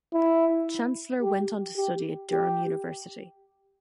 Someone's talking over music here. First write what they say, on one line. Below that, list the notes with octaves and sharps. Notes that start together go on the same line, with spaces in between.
Chancellor went on to study at Durham University.
E4
G4
G4
G4